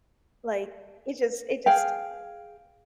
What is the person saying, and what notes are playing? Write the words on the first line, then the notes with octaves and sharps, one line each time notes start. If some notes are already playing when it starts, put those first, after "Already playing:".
like, it just it just
G#4 F5 G5